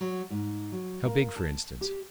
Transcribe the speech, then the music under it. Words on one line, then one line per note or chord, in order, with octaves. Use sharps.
"How big, for instance?"
F#3
G#2
F#3
A#3
A5
G4